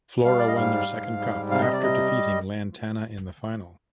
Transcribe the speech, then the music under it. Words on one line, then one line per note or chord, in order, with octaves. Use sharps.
Flora won their second cup after defeating Lantana in the final.
G3 F5
D5
D#5
G#2 F5
G#2
G3
C3 F5
D#5
D5
G3 D#5